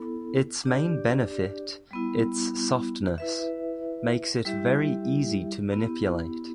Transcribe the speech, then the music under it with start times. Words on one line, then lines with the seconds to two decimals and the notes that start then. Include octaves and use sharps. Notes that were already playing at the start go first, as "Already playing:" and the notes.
Its main benefit, its softness, makes it very easy to manipulate.
Already playing: B3 E4 A4
0.64 D4 G4 D5
1.91 G3 B3 E4
3.18 E4 B4 E5
4.45 G3 E4 G4 E5
5.72 B3 E4 G4